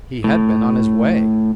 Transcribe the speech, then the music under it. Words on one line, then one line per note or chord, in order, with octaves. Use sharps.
He had been on his way.
A2